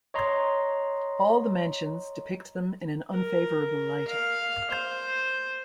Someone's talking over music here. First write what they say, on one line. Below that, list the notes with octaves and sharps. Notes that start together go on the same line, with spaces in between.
All the mentions depict them in an unfavourable light.
C#5 D#5 A#5 C6
A#4
F5
C5